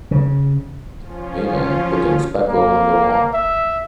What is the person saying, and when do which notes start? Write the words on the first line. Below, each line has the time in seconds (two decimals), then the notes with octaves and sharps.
A man putting spackle on the wall.
0.11 C#3
1.00 F3 C#4 F4
2.49 A#3
3.33 E5